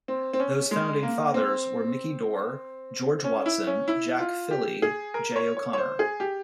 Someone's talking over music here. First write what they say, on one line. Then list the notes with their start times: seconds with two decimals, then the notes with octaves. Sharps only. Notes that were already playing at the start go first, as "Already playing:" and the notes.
Those founding fathers were Micky Dore, George Watson, Jack Fihelly, J O'Connor.
0.08 C4
0.33 C4
0.40 C#4
0.71 G#3
1.03 A#3
1.34 C4
3.24 C#4
3.46 E4
3.67 C#4
3.88 E4
4.19 F4
4.51 G4
4.82 G#4
5.14 A#4
5.36 C#5
5.57 C#5
5.73 C#5
5.78 C5
5.99 G#4
6.20 G4